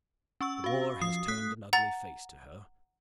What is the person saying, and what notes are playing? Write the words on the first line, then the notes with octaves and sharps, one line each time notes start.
The war has turned an ugly face to her.
C#4 C#6 E6
F#4 F5
F3 D#6 C7
A3 D#6 F#6 B6
F#5 A#5 A6